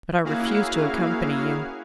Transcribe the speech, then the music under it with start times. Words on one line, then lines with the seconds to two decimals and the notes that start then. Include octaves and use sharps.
But I refuse to accompany you.
0.25 A#3 C#4 E4 F#4 G#4 F5